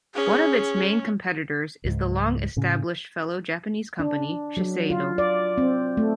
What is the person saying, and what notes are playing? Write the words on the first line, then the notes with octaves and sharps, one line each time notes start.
One of it's main competitors is the long established fellow Japanese company Shiseido.
C#4 G#4
C#2 G#2
A2 C#3 C#4
D4
F#3
F4
D5
C4
A3